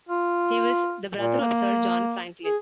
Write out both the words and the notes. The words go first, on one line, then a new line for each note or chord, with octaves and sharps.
He was the brother of Sir John Franklin.
F4
A#2
A#3
G#4